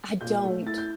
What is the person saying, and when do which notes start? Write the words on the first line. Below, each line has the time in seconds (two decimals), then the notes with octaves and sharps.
I don't.
0.21 A#2 G6
0.44 A3
0.66 E4 A6
0.78 G6